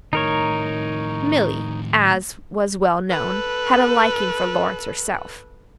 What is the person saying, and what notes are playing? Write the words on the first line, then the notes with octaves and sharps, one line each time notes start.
Milly, as was well known, had a liking for Lawrence herself.
A2 D#3 D#4 A#4 C#5
A4 B4